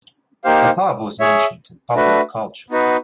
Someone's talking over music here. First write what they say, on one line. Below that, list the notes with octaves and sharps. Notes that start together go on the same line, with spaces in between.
The club was mentioned in popular culture.
A#3 D#4 G4 C5 F5
G#4 C#5 E5
A3 D4 F#4 B4
B3 D#4 F#4 B4